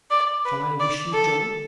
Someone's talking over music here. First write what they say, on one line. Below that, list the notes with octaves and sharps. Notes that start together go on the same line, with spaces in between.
"Shall I wish you joy?"
D5
B4
D5
A4